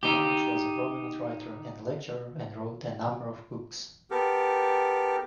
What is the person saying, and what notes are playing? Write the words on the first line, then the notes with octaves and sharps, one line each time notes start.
Muench was a prominent writer and lecturer and wrote a number of books.
D#4 G4
B3 G4 A4 A#4